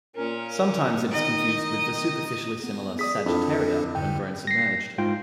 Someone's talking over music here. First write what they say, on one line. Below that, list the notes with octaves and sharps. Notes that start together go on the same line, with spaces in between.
Sometimes it is confused with the superficially similar "Sagittaria" when grown submerged.
A#2 C#4 A#4
D#3 D#4 D#5
B3
G#4 D5 D#6 B6
F2 D4 E4 A4
F2 G#2 D3 G5
A#6 C7
G#2 F4 G5